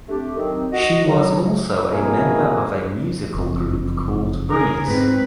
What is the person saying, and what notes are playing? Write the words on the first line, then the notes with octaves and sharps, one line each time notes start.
She was also a member of a musical group called Breeze.
A3 C4 D4 G4
D#3 F#3 C4
F#4 D#5
C#3 F#3
F2 B2 A#3 E4 G#4 A#4
F#1 F2
C#3 G#4 A#4
G#2 C4 B4